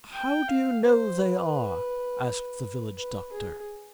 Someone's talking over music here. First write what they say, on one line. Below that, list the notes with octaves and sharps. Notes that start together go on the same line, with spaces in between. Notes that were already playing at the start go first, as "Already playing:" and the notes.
"How do you know they are?" asked the village doctor.
G5
F5
C5
B4
B4
G#4